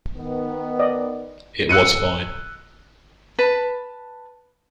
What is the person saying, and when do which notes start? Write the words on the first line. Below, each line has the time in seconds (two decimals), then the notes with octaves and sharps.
It was fine.
0.15 D#3 B3
0.79 D5 D#5
1.69 E6 F#6 C#7 D#7
3.39 B4 A5 B5